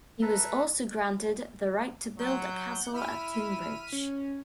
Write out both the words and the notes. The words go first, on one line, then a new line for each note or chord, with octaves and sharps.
He was also granted the right to build a castle at Tonbridge.
A4 B4 E5 A#5
F#3 F#5 G6
E4 F6 B6 D#7
C#4